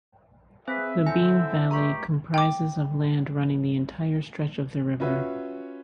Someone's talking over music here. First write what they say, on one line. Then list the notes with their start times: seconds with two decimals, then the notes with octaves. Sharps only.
The Beam Valley comprises of land running the entire stretch of the river.
0.68 C4 G#4 B4 C5 E5
1.06 A2 D3 C4 E4 G#5
1.71 C#2 A3 G4 A#5 C6 C#6
2.34 G5 D6
5.00 C#4 F4 F#4 B4 C#5 E5